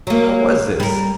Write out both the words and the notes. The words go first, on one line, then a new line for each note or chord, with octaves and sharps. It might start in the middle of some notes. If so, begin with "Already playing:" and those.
How was this?
F#3 A#3
G3 A#4